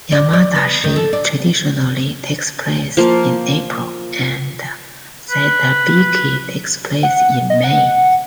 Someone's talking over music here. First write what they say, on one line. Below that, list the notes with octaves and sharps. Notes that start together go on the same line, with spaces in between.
"Yamadashi" traditionally takes place in April, and "Satobiki" takes place in May.
D5
D5
B3
D#3
A4
D5
F3 A#3
B4
F#5
D#5
F#5